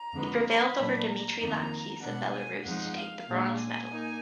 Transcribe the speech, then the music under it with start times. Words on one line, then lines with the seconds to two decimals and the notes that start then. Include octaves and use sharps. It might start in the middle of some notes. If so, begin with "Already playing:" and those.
He prevailed over Dmitry Lapkes of Belarus to take the bronze medal.
Already playing: A#5
0.13 F2 D3 G#3 B3
0.45 B5
0.76 A#2 F#3 A#3 D4
1.07 A#5
1.39 F2 D#3 A#3 D#4
2.02 B2 G#3 B3 D4 F#5
2.34 G#5
2.65 F2 F3 G#3 D#4 F#5
2.97 F5
3.28 A#2 G#3 D4
3.60 G#5
3.91 A#3 D#4